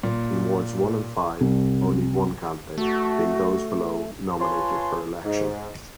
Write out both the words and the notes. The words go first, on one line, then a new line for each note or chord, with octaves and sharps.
In Wards One and Five, only one candidate, being those below, nominated for election.
A#2
C2
A3 F#4
F4 B4 C#5 G#5 A5 C6
G#2